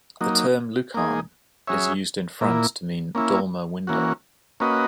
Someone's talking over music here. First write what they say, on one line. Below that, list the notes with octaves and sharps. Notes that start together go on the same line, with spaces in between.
The term lucarne is used in France to mean "dormer window".
F#3 A#3 D#4
A#3 D#4 G#4
F#3 C#4 G#4 C#5 E5
A#2 A#3 E4
A#3 C#4 E4
E3 A#3 C#4 F#4
A#3 C#4 F#4 B4 D#5